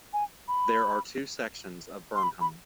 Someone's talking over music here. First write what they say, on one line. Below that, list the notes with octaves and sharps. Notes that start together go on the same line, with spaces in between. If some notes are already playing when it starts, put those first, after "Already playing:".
There are two sections of Burnham.
G#5
B5
C6
B5
B5